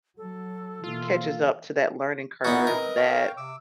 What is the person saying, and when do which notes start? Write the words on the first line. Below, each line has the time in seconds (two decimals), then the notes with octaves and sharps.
catches up to that learning curve that,
0.17 F#3 A4
0.84 B2 E3 A#3 F4
2.45 B3 D#4 E4 F#4 G#4 A4 C#5 F#5
2.67 C4 A#4 B4 D#5
2.97 C#5 F5 G5
3.37 C3 D6 E6